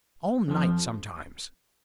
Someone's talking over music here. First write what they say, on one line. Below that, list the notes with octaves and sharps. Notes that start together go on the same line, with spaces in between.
All night sometimes....
F2 F3